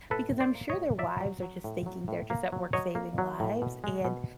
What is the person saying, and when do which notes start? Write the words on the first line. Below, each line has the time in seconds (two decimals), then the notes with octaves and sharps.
because I'm sure their wives are just thinking they're just at work saving lives, and,
0.10 A2 A4 B4
0.33 A2
0.40 C5 D5
0.55 A#3
0.70 C#5 D#5
0.77 A2
0.98 F#3 D5 E5
1.20 F#3
1.42 F#3
1.64 A2
1.86 F#3
2.08 A2
2.30 A#3
2.52 F#3
2.73 F#3 C#5 D#5
2.95 A#3
3.18 F#3
3.40 A2
3.62 B2
3.84 G#3
4.05 B2